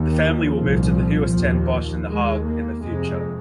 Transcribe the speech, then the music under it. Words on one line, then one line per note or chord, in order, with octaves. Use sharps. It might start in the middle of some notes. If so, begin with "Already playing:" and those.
The family will move to Huis ten Bosch in The Hague in the future.
Already playing: D#2
F3
C2 A#2
D#2
D#2 G#3
A#3
F2 C3 G#3